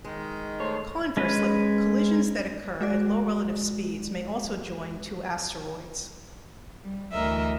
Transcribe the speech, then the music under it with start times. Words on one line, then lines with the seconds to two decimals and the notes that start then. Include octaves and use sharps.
Conversely, collisions that occur at low relative speeds may also join two asteroids.
0.05 D#3 G#3
0.60 A3 C5 C#5
1.17 G#3 C#4 B4
2.81 G#3 F#4 D5
6.84 G3
7.13 D2 E3 A#4 D#5 E5